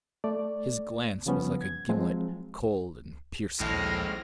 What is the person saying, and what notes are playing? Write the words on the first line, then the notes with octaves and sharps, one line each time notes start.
His glance was like a gimlet, cold and piercing.
A3 D5
C#3 F3 G3 B3 C#4
G#6
F3 F#3 G#3 C4
A#1 D#2 A2 G#3 C4 F6 A#6